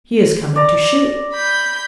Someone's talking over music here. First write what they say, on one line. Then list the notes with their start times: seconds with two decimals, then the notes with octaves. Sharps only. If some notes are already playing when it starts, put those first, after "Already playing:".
He is coming to shoot.
0.56 D5 A#5
1.33 B5 G6